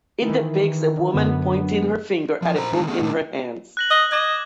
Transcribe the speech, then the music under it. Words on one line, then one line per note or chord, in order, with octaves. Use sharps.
It depicts a woman pointing her finger at a book in her hands.
D#3 E3
F#2 D3 B3
F3
A#4 C5 A#5
D#3 E3 G#3 C4 D#4
A3 B3 G#4
A#2 A3 D4
F#6 A#6 F#7
D#5
D#5 D6 G#6